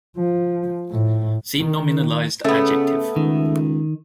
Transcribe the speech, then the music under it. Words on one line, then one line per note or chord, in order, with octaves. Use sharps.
See nominalized adjective.
F3
A2
D#3
C#3 A3 B3
C#2 D#3